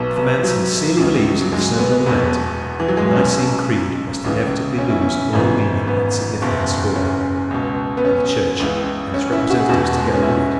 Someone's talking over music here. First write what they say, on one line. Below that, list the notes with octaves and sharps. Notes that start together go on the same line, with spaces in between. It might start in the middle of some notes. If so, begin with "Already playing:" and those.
If a man sincerely believes in the Sermon on the Mount, the Nicene Creed must inevitably lose all meaning and significance for him, and the Church and its representatives together with it.
Already playing: B1 B2 B3
B3
E3
F#3
C#2 C#3 E3
F#3
G#3
B3
E1 E2 B2 B3
E3
F#3
G#3
B3
B1 B2 C#4
C#2 C#3 E3
C#4
E4
C#4
G#1 G#2 E3
B3
F#1 E2 B2
C#4
C#2 B2
B3
C#4
C#2 C#3 E3
C#4
E4
F#4
G#4
E1 E2 B2 F#4
G#3
B3
C#4
E4